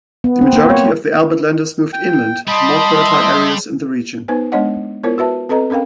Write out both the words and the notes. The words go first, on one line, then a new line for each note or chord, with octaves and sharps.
The majority of the Albertlanders moved inland, to more fertile areas in the region.
B3
C4
A#3
C#5
G5
G3 D#5 A5 B5 C6
E5
B3 D#4 B4 C5 G#5
G#3 B3 D4 C#5 D#5 F#5
B3 E4 F4 A#4 C5 C#5
F#4 B4 E5 A5
C4 A4 B4 D#5 A#5
C4 C#4 A#4 F5 G5